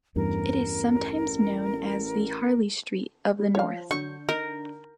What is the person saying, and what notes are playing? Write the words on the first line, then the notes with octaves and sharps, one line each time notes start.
It is sometimes known as the "Harley Street of the North".
A1 E2 G2 A#4
G3
F3 C#5 F5
D3 F#3 C#6 G6
D#4 A#4